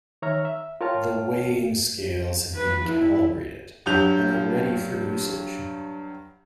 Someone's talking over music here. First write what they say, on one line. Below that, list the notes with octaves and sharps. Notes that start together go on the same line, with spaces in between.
The weighing scales have been calibrated and are ready for usage.
D#3 C#5 E5 A#5 F6
E5
F4 A#4 C#5 G5 A5 F6
B4
E4
G2 F#3 G4 G6 F7